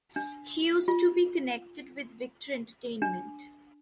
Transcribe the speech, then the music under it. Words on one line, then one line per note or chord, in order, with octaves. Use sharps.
She used to be connected with Victor Entertainment.
D4
F4
D4